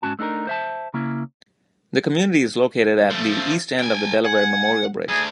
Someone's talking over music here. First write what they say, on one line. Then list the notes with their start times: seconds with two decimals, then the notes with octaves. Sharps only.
The community is located at the east end of the Delaware Memorial Bridge.
0.02 G#2 E3 C#4 F#4 A5
0.19 A3 D4 D#4 A4 A#4
0.47 C5 E5 A5
0.94 C#3 A#3 C#4 E4
3.11 F3 A3
3.79 G5 G#5
4.25 F#5 G#5
5.09 D2 G#4